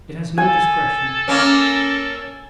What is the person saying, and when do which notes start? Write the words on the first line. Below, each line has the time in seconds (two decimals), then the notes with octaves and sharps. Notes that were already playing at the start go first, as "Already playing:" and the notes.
It has no discretion.
0.38 A4 G#5
1.28 A#3 C#4